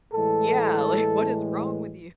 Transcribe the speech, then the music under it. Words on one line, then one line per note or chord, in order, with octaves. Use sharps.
Yeah, like, "What is wrong with you?"
A2 E3 G#3 A4